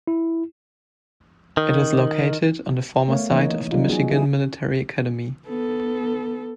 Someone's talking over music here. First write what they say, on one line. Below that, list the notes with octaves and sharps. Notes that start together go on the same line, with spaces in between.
It is located on the former site of the Michigan Military Academy.
E4
D#3
A3 B3 A#4 C#5 F5
E3 A#3 D#4 C#5
D#5
F#3 G3 D#4 F4
F#3 B3 C#4 D#4 F#4 G#4
D4 E4 G4 G#4 B4
B3 A4